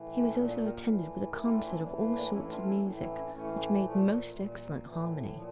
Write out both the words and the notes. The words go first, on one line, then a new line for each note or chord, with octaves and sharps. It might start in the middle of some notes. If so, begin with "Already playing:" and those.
He was also attended with a concert of all sorts of music, which made most excellent harmony.
Already playing: A2 E3
F3 A3
A#2 A3 C#4
A#3 D4
G4 A#4
A2 E3
A2 E3 G4 A#4
F4 A4
D4 F4
C#4 E4
A2 E3 A#3 D4
G3 A#3
A#3 D4
A2 E3 C#4 E4
D4 F4
C#4 E4
A2 A#3 D4
E3
C#4 E4
C#4 E4
A2 E3 A3 C#4
A#2 F3 A3
A#2 E3 G3
E3 G3
F3
A2 E3 F3
F3
E3
E3
A#2 F3